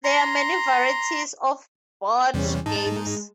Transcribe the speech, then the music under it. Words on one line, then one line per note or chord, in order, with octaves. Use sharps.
There are many varieties of board games.
A#5 C6
E2 C3 G3 C#4
G#2 D#4 A5
G#3